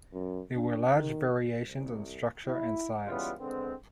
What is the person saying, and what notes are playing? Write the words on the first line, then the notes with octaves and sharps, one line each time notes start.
There were large variations in structure and size.
F#2
D4
D#3
C2
E4
E3 G3 G#3 B3 C#4 F4
D3 G#3 B3 C4